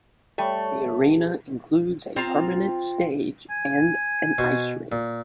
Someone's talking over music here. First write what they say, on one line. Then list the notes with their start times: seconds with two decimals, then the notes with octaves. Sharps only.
The arena includes a permanent stage, and a ice rink.
0.38 G3 A3 C#5 C#6
0.98 G4 G#4 B4
2.16 C4 F4 A#5
3.50 G#5
4.38 B2 C5 C#6
4.92 A#2